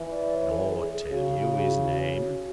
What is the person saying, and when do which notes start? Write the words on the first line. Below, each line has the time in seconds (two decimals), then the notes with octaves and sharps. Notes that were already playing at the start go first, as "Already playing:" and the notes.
"Nor tell you his name?"
Already playing: E3
0.11 D5
0.31 D5
0.35 C#5
0.51 A4
0.70 G#4
0.91 G#4
1.10 C#3 F#4
1.30 G#4
1.51 G#4
1.55 F#4
1.70 E4
1.90 F#4